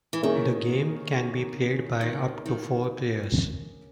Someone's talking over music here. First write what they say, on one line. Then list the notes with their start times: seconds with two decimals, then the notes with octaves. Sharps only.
The game can be played by up to four players.
0.13 E3
0.23 D#3 A#3 C#4 G#4
2.01 D#3
2.46 D#3